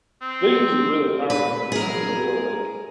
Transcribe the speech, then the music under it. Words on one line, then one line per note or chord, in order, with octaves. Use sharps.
Vision's really powerful, but he's not even a real, like,
C4
B4
G#4 A#4